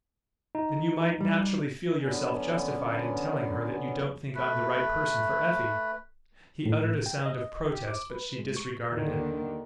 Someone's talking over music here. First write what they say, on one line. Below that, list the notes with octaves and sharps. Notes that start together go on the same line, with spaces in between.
"Then you might naturally feel yourself justified in telling her that you don't think I'm the right person for Effie." He uttered a sound of protest, but she disregarded it.
D#4
G3
D3 F#3 B3 C#4
A3 B4
A2
G5
D#5
G4
D6
B4
G#3
C#6
D#2 D3 D#3